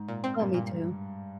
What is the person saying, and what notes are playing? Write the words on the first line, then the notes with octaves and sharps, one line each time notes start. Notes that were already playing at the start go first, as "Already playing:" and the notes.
Oh, me too.
Already playing: G#2
A#2
C4
G2 A#2
A#2